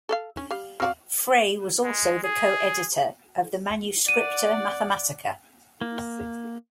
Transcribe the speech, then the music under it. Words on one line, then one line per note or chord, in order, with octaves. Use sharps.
Frey was also the co-editor of the "Manuscripta Mathematica".
A4 D5 F5
C#4
G3 F5
C4 F#4 D5 F5 F6
G#3
G#4
D5 F#5 D#7
A#3